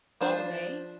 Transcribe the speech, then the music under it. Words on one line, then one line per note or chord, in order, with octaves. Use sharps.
all day,
F3 D4 C5